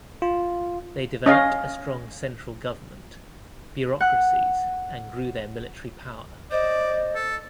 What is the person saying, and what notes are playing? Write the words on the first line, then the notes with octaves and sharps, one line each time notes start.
They developed a strong central government, bureaucracies, and grew their military power.
F4
C#4 D#5 F5
F#5 F#6
C5 D5 D#5
A4